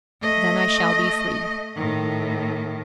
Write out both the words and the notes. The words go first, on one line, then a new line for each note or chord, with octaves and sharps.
'Then I shall be free.'
A3 D#5
A2 D#3